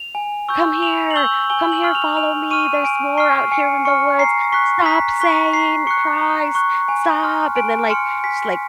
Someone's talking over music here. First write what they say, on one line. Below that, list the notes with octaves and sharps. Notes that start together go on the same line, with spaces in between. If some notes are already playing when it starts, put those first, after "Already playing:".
"Come here! Come here, follow me, there's more out here in the woods. Stop saying Christ! Stop!" and then, like, she, like
Already playing: F7
G#5
C#6 E6 G6
G#5 F7
F#7
C#6 E6 G6 G7
G#5 G7
F#7
C#6 F6
F7
G#5 F7
C#6 F6 D#7
G#5 D7
C#6 F6 C7
G#5 C#7
C#6 F6 C#7
A#5 C7
C#6 F#6 B6
A#5 B6
C#6 F#6 B6
A#5 C7
C#6 F#6 C#7
A#5
C#6 F#6
G#5
C6 F6
G#5 D7
C6 F6 C#7
G#5 B6